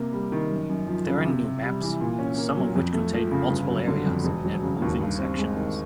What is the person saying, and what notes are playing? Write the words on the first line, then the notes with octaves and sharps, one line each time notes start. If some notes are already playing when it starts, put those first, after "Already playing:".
There are new maps, some of which contain multiple areas and moving sections.
Already playing: C3 A#3
G3
D#3
F#2
F#2
F3
C#3
C3
C3
G3
E3
A#2
C#4
A#3
F#3
F2
A3
F3
C#3
G1
F#3
D3
F2
E1
F#3
C#3
D#2
G2
C4
G#3
D#3